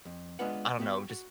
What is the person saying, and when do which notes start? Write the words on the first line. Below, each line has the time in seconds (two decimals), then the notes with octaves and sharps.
I don't know, just
0.05 F2
0.39 G#3 B3 D4 F4 B4 F#5
0.79 B3 F#4 G4 E5
1.10 F#4